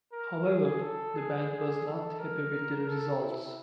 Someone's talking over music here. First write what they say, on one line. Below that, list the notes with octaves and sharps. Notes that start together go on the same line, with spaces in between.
However, the band was not happy with the results.
A#4
G#4
A4
G#4
G#4
A4
A#4
A4
E4